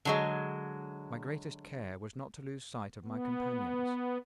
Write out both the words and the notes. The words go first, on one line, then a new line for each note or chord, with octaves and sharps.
My greatest care was not to lose sight of my companions.
D3 F#3 G#3
B3